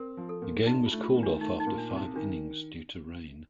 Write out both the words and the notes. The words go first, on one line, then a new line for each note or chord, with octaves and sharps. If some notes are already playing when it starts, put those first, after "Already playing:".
The game was called off after five innings due to rain.
Already playing: C4 A#4
F3
A4
A#2
D4 D#4
F4
A3
F4
D#3
D4
A3 D#4
D#4
A#2
D4
C2
D#4
D#3 D4